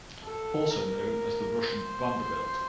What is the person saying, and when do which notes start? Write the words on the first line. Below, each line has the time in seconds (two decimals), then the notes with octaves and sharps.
Also known as the Russian Vanderbilt.
0.24 A4
0.71 A#4
1.64 C5